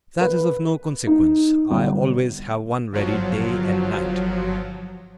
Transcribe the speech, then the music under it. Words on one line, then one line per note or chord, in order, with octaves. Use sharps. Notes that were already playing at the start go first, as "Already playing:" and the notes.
"That is of no consequence; I always have one ready, day and night."
B4
D#4
G1
G1 F3 F#3